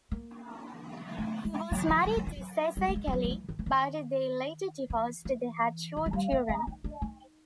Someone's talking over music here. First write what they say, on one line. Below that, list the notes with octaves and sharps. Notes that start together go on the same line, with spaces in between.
He was married to Casey Kelley, but they later divorced; they had two children.
A#3
A3
G#3
F#3
F3
G3
F#3
F3
F#3
G3
A3
G#3
G3
F#3
F3
E3
D#3
E3
D#3
E3
E3
D#3
G#3
G3
A#3
C4
D#4
D4
D#4